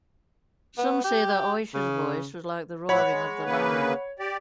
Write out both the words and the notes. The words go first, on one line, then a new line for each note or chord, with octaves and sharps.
Some say that Oysher's voice was like the roaring of the lion.
B3
G4
C#3
A2 F#3 E4 C#5 F#5 B5
G#3
C#3 A#3 B4
G4 D5